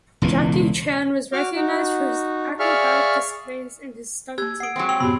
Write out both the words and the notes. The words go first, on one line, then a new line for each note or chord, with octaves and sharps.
Jackie Chan was recognised for his acrobatic displays and his stunt team.
E1 C#2 A#2 E3
F#4 D6 F6
D#4 F#4
G#4 D5 E5 F5 C#6 F6
A#3 G4 E6 G#6
F#5 D#6 C7 D7
F#3 G#3 C4
G5 C6 E6 F7
F#2 A2 C3 B3 F#4 G4 B5